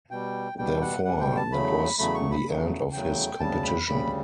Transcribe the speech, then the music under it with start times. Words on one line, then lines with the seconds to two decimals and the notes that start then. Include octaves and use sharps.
Therefore, that was the end of his competition.
0.11 B2 G3 G5
0.58 B2 G3 G5
0.81 F#5
1.05 B2 G3 F#5
1.20 G5
1.37 A5
1.52 E2 C#3 F#3 A3 B5
1.98 E2 C#3 F#3 A3 B5
2.15 C#6
2.30 B5
2.46 E2 C#3 F#3 A3
2.93 E2 C#3 F#3 A3 G5
3.40 D2 C#3 G3 A5
3.63 B5
3.87 D2 C#3 G3 B5